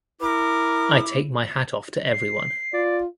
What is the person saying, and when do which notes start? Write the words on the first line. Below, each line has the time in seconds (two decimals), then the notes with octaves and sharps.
I take my hat off to everyone.
0.21 E4 A#4 D6
2.12 C7
2.73 F4 D5